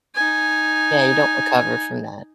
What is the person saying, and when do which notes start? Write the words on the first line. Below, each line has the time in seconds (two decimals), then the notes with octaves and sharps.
Yeah, you don't recover from that.
0.15 D#4 G#5